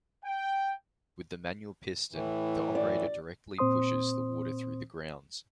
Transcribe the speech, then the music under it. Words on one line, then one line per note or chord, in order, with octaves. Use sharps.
With the manual piston, the operator directly pushes the water through the grounds.
G5
A2 E3
D5
A#2 C4 C5 C6 D#6